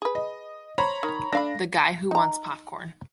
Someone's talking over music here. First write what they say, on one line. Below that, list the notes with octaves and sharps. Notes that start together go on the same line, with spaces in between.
The guy who wants popcorn.
G#4 B4
D#5
C5 C#5 A#5 B5
D#3
A3 D4 F5 B5 A#6
D#4 A#5